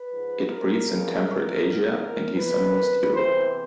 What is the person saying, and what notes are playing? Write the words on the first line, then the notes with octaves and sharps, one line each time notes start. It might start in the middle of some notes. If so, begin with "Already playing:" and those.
It breeds in temperate Asia and easternmost Europe.
Already playing: B4
G#2 F3
A#4
F2 C#3 F3
G#2 D#3
A#4
F2 C3 D#3 B4
E2 C3 E3 C5